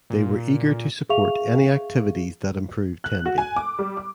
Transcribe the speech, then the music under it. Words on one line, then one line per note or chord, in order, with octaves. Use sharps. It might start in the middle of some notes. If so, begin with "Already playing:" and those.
They were eager to support any activities that improved Tenby.
A#2
G#4 E5 F5 C#6 F7
F#6
F#4
G#5
D6
G3
D6